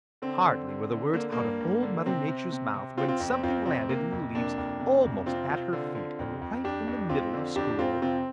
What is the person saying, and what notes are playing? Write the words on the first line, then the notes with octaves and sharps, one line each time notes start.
Hardly were the words out of Old Mother Nature's mouth when something landed in the leaves almost at her feet and right in the middle of school.
D3 C4
D3
D3
D3
D3 A#3
G2 A#3
G2
D3
C3 C4
C3
C3
C3
C3 C4 F4
C4 F4
F2 C4
C4
F2 C4 F4
C3 C4
C3 A#3
F2
C3 A#3 D4
F2
C3
F2
C3 C4 F4
C3 C4 F4
D3
D3
F2
F2
F2 D4 G4
F2
F2 C4 F4
D3
F2 D4 G4
F2 C4 F4
C3 C4 F4